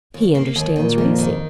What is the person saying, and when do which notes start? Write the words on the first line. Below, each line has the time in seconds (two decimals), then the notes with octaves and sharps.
"He understands racing."
0.14 D#2
0.35 A#3
0.56 D#2
0.76 A#2 D#3 A#3
0.98 F2
1.18 D#3